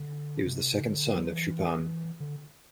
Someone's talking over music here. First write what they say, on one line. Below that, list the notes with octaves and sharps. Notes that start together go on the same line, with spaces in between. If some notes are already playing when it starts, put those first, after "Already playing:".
He was the second son of Chupan.
Already playing: D3
C3
D3
F#3
E3
D3